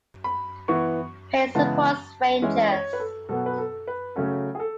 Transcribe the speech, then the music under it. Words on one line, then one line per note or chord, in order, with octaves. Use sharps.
Payne supports Rangers.
B5
E3 B3 C#6
C#3 E3 G#3 B3 A5
E3 G#3 C#4 E5
D#5
C#5
B4
A4
B2 F#3 B3 A4
B4
A4
B4
C#3 F#3 A3 C#4 A4
G#4
A4